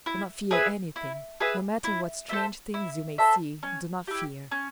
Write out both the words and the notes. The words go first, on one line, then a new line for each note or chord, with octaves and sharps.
Do not fear anything. No matter what strange things you may see, do not fear.
E4
G#4 B4 E5
E4
G#4 B4 E5
E4
A4 C5 E5
E4
A4 C5 E5
C#4
E4 G4
C#4